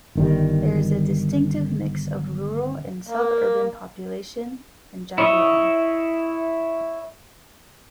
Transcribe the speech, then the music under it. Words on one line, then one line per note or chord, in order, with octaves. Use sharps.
There is a distinctive mix of rural and sub-urban population in Jagraon.
G1 D#3 G3
A#3
E4 C#5 D#5 E5